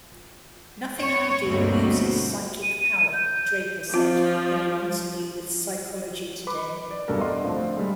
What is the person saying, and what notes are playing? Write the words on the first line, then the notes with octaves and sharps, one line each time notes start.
"Nothing I do uses psychic power," Draper said in an interview with Psychology Today.
C#5
D2 G2 B2 A3 A#3 C4
D#7
G6
F3 C4 F4
B4 B5 D6
D5
B1 B2 G3 D4 A4 A#4
D5 D#5 F#5 C6
A2 D3 F3 A3 C4 D4
G3 G#3